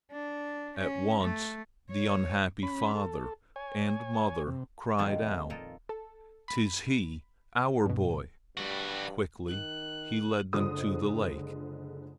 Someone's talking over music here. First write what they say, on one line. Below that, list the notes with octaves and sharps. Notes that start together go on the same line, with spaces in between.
At once the unhappy father and mother cried out, "'Tis he, our boy!" Quickly he led them to the lake.
D4
C#4
A3
C#5
C#4 B5
A4
C#5 G#5
C3
F2 B2 D#3 F3 G#3 C5
A#2 F4 A4 A#4 D#5
A4
B5
G2 B2
G2 G3 F#4
D#3 F#6
F#1 D3 G#3 F4 C5 D#6